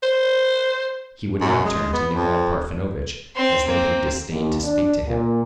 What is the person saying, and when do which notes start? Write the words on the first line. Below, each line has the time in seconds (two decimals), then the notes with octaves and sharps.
He would not turn to Nikolay Parfenovitch, as though he disdained to speak to him.
0.03 C5
1.41 F#2
1.65 G#3
1.93 B3
2.14 F2
3.36 C4 C6
3.67 A#3 C4
4.30 D#2
4.64 D4
5.07 A#2